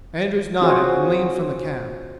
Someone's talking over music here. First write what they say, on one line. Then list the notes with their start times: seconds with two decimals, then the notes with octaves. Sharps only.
Andrews nodded and leaned from the cab.
0.61 C4 F4 F#4 G#4 C5 C#5